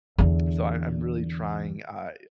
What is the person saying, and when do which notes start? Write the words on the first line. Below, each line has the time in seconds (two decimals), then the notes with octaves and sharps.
so, I I'm really trying, uh,
0.18 E2 D3